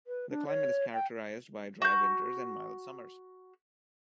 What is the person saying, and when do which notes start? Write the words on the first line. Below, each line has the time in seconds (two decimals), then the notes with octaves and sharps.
The climate is characterized by dry winters and mild summers.
0.07 B4
0.30 D4
0.47 C#5
0.94 G5
1.82 F#4 G6